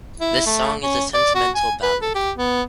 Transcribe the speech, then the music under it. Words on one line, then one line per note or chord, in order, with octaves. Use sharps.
The song is a sentimental ballad.
E4
A3
C#4
D5
F#4
G#5
B4
A4
G4
B3